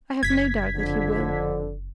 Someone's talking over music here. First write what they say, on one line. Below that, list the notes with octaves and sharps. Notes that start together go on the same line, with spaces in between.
I have no doubt that he will.
F#1 G#6 B6
F2 D3